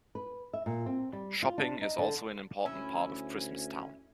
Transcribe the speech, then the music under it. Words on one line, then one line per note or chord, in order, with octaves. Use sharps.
Shopping is also an important part of Christmas Town.
B4
E5
A#2
C4
G3
F4
D4
D#4
D3
D2 C#4 E4